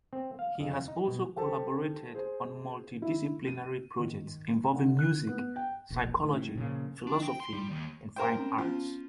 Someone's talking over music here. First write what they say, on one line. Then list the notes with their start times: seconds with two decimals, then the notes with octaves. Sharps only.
He has also collaborated on multi-disciplinary projects involving music, psychology, philosophy, and fine arts.
0.13 C4
0.39 F5
0.60 F2
0.88 D#4
1.07 B2
1.37 G4 A4 C5 A5
2.15 G#4 C5
3.02 E4
3.47 D#7
3.99 D#3
4.73 D3
4.99 F#6
5.29 B3
5.56 G5
5.90 E1 A#1
6.24 A2
6.55 A#2 C#3 F3
7.07 D4
7.22 G5
7.40 C6
7.53 G3
7.71 D#2
8.16 A#4 C5 G5
8.37 C4 C#4 D#4
8.58 F3 B3 C#4